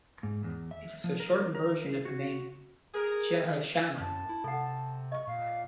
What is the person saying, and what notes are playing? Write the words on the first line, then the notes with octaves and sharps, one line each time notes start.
It is a shortened version of the name Jehoshama.
G#2
E2
E5
F3
A#4
A#4
G#4
F#4
G#4 A#4
F#2 A5
E4
C3 A4 F#5
D#5 C#6
A#2 F5